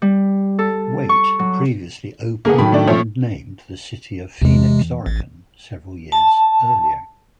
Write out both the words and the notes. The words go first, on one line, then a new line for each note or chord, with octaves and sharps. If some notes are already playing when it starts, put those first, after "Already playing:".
Wait previously opened, and named, the city of Phoenix, Oregon several years earlier.
G3
A4
C#6
F#3
D3 A#3 B3 G#4
A2 D#3 F#3 B5
A3 D4
F3 A3 C#4
E2 C3 G#3
A1
A5